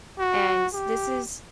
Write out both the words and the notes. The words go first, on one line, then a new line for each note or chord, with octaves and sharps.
And this is
F#4
G4